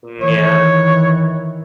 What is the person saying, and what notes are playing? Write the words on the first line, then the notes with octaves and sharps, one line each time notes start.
Mm, yeah.
D#3 E3 C#5